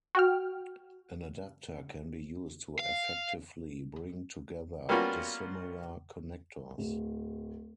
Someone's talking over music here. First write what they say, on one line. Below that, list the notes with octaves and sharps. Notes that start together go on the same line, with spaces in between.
An adapter can be used to effectively bring together dissimilar connectors.
F#4 G5 F6
F5
G3 A#3 B3 C#4 F4 F#4
D1